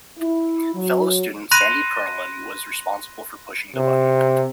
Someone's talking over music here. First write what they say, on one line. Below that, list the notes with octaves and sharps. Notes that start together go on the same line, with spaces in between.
Fellow student Sandy Pearlman was responsible for pushing the button.
E4
F#3
B5 C6 F#6 A#6 D#7
C3